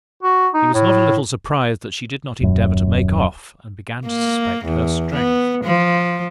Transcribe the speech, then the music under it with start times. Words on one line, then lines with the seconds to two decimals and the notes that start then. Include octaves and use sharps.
He was not a little surprised that she did not endeavor to make off, and began to suspect her strength.
0.23 F#4
0.54 D#4
0.74 A2
2.41 D#1 F#2
4.06 A#3
4.65 E2
5.13 B3
5.64 F3